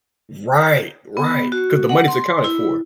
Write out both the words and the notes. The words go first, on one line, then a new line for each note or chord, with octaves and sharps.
Right, right, 'cause the money's accounted for.
B3
F#4
F#5
C6
E4